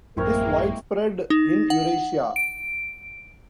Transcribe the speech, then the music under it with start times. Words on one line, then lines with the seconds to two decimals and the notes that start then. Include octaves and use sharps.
It is widespread in Eurasia.
0.17 A1 F#2 G#3 A#3 C4 E4 A#4 C#5
1.30 D#4
1.70 F#5
2.36 D7